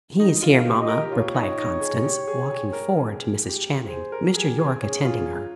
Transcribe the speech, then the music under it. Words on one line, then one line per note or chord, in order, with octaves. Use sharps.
"He is here, mamma," replied Constance, walking forward to Mrs. Channing, Mr. Yorke attending her.
D#4 D#5
F4
F5
G4
D#5
A#4
G4
F4 C#5
D#4
D#4
G#4
G4
G#4
G#4
A#4
G#4
G4
G#4 C5
A#4
G4 G#4
G#4
C#4 G#4
F4